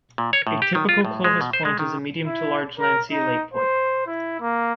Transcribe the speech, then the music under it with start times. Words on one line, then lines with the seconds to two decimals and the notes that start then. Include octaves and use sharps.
A typical Clovis point is a medium to large lanceolate point.
0.18 A#2
0.33 C#5
0.47 A2
0.62 G4
0.75 D#3
0.89 F4
1.05 A2
1.24 G#3
1.41 B2
1.53 C5
1.65 G#3
1.79 D#3
2.26 E4
2.79 A#4
3.11 D#4
3.54 C5
4.07 E4
4.41 A#3